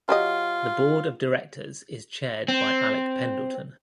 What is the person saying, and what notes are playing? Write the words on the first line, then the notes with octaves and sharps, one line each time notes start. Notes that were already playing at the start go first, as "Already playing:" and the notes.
The Board of Directors is chaired by Alec Pendleton.
F#3 F4 G4 D#5
C4